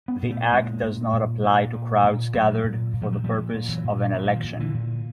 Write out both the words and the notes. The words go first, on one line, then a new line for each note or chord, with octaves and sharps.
The act does not apply to crowds gathered for the purpose of an election.
B3 C#4
A#2
A3 B3
A#2 G#3 A#3
A#2
A#2
A#2
A#2
A#2
A#2 F#3 G#3
A#2
A#2
F3
F#3
A#2 F3 G3
A#2
E3 F#3
A#2
A#2 F3
F#3
D#3 F3
A#2
D3 E3
A#2